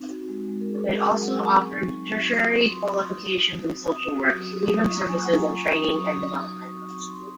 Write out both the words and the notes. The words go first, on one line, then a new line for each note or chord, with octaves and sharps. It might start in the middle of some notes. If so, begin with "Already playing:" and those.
It also offered tertiary qualifications in social work, human services and training and development.
Already playing: C4 D#4
F#4
G#3
G#3
A#4
C#4 G#4
F#4
F#3 G#4
F#5
F#3
G#5
C4 C#6
D#4
F#3
F#4
F4 D#6
C4 C#6
C4 C6
D#6
F4 C#6
D#4 D#6
F#4
C4
C4
C#4 D#6
F#4
F#3
F#3
F4 D#6
C#6
A#3
A#5
A#3 G#5
F#5
F4
A#5
C#4 C#6
F#4 D#6
F#3 C#6
D#6
F#3 C#6
D#4 D#6
F#4
C4 C#6
C4 C#6
D#4 C6